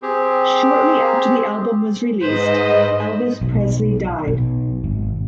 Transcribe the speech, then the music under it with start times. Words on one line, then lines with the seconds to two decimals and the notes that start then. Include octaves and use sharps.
Shortly after the album was released, Elvis Presley died.
0.02 C4 G4 G#4
2.21 G#2 B4 C5 D#5
3.41 B1
4.27 B1
4.84 G#1